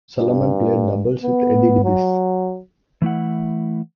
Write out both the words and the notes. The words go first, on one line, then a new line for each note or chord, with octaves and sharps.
Solomon played doubles with Eddie Dibbs.
G2
B3
F#3
E3 A3 E4 F#5